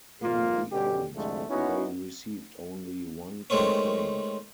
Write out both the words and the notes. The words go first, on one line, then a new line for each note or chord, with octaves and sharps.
In the end they received only one complaint.
G#1 F2 A#3 F4
B2 D3 C#4 G4
C2 F2 D3 G#3 A3
B3 C#4 D#4 E4 F#4
D#3 G#3 A3 C4 C#4